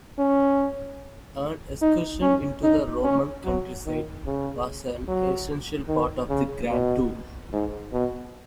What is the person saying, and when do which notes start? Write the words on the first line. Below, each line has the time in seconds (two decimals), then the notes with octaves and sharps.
An excursion into the Roman countryside was an essential part of the Grand Tour.
0.18 C#4
1.81 D#4
2.22 C#4
2.63 D#4
3.04 C#4
3.44 F#3
3.86 D#3
4.26 C#3
5.07 F#3
5.88 D#3
6.29 C#3
6.70 B2
7.52 G#2
7.92 B2